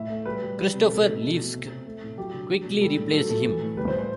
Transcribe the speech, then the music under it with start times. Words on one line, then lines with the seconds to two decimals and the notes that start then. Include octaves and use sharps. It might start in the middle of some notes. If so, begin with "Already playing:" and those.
Christopher Levesque quickly replaced him.
Already playing: A2 E5
0.10 A3
0.25 G3 B4
0.42 G3
0.58 G3
0.74 C3
0.89 B2 A4
1.05 A3
1.22 B2
1.38 A3
1.54 C3
1.69 C3
1.86 A3
2.02 A2
2.17 F#3 G4
2.34 D3
2.49 F#3
2.65 B2
2.81 G3 A4
2.97 A2
3.13 F#3 A4
3.29 A3 A4
3.46 E3
3.61 A2
3.77 G3 B4
3.88 C5
3.93 A2
3.98 C5